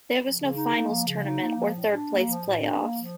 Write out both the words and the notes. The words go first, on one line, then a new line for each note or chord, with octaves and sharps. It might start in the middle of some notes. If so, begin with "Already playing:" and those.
There was no finals tournament or third-place playoff.
F3
C#3
D#4
A#3
F3
C#3
D#4
A#3
F3
A2
D4
A#3
F3
A2
D4
A#3
F3